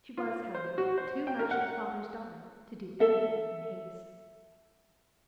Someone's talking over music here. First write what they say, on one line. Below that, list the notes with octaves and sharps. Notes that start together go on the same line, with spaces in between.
She was, however, too much her father's daughter to do anything in haste.
F4
C5
F#4
C5
G5
A#4
F#5
A4 E5